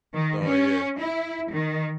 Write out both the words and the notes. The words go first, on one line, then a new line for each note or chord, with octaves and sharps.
No, yeah.
D#3
C#4
E4
D#3